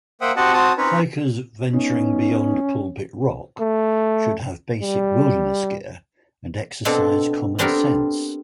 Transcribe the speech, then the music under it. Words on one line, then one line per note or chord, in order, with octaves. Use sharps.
Hikers venturing beyond Pulpit Rock should have basic wilderness gear and exercise common sense.
A#3 C5 E5 F#5 G5 D#6
C4 F#4 G4 D#5 F#5 A5
C4 F#4 A5 D#6
C4 C#4 D#4 B4 C#5
B3 C#4 D#4
A3
G3
B2 C4 D4 A4
B3 C4 D4 G4 A4 A#4